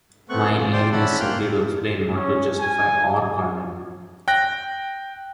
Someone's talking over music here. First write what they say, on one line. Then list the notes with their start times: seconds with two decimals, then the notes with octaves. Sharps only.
My aim is simply to explain, not to justify or condemn.
0.29 A3 B3 C4 C#6 F#6
0.56 F4
0.73 C5 D5 G5 C6
0.92 C#4 E5 F#5 A5 B5
1.20 A#3 G5 C6 F6 F#6
2.15 C#4
2.60 G#5
4.28 G5 F#6 A#6